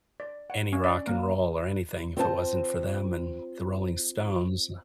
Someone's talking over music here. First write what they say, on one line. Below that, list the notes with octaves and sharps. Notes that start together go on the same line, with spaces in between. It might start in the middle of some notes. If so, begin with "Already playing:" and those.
any rock and roll or anything if it wasn't for them and the Rolling Stones.
D5
F#5
C#4
D5
A#3
C4 F4 C5 A5